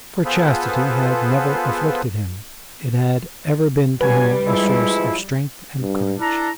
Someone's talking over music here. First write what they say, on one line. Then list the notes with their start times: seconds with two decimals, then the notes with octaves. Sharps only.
For chastity had never afflicted him; it had ever been to him a source of strength and courage.
0.25 B3 F4 G#4 A4 B4 C5
4.01 G2 F#3 G3 B4 G#5
4.46 F3 G#3 E4
5.82 G2
6.20 D4 E4 A4 A#5